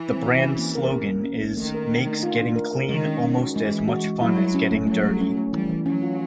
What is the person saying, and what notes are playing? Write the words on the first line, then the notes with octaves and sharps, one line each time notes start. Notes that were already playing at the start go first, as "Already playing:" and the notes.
The brand's slogan is "Makes Getting Clean Almost as Much Fun as Getting Dirty!".
Already playing: E3
C4
F#4
C#4
A#3
A#4
C#4
A#3
C#4
A#3
D#3 A3
A#4
D4
A3
F4
D4
A#4
A#4
D#3 G#3
C#4
C#4
F#4
E3 G#3
G#3
F#4
G#3
F#3 E4
E4
C#4
A3
F#3 A3
A3
C#4
A3
E3 G3
E3
F#3 C#4
F4